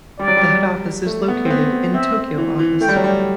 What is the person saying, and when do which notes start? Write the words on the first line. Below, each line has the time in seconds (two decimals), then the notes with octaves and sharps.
The head office is located in Tokyo Office.
0.19 G3 D5
0.28 F#3
0.37 G3
1.06 A3
1.28 B3
1.45 C4
1.50 B3
1.94 C4 E5
2.38 E3
2.59 E3
2.81 A3 G5
2.89 G3
2.96 F#3
3.04 G3